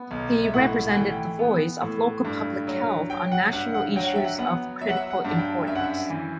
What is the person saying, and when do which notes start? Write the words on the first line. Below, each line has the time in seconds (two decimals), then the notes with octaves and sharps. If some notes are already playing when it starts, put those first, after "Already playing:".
He represented the voice of local public health on national issues of critical importance.
Already playing: B3
0.11 B1
0.44 E5
0.54 A2 F#5
0.89 F#5
0.96 E3 G5
1.39 B3
1.82 A2
2.25 G2
2.67 F#3
3.10 F#3 G5
3.32 F#5
3.53 G2 F#5
3.74 F#5
3.96 F#3 G5
4.05 F#5
4.16 E5
4.24 F#5
4.39 B3 F#5
4.81 F#3 E5
4.89 F#5
4.97 E5
5.11 F#5
5.25 G2 A5
5.38 G5
5.67 F#2 E5
5.75 F#5
5.84 E5
6.10 E3